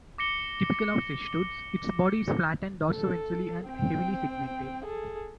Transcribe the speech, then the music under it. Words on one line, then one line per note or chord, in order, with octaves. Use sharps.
Typical of cestodes, its body is flattened dorsoventrally and heavily segmented.
D6 A#6 C#7 G7
A4
C4 G5
G#4 A4